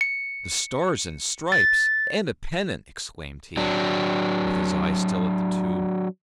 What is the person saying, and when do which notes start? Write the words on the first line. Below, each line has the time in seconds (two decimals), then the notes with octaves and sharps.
"The stars and stripes, and a pennant!" exclaimed he, with his eye still at the tube.
0.01 C#7
1.52 A6
3.57 F#3 D4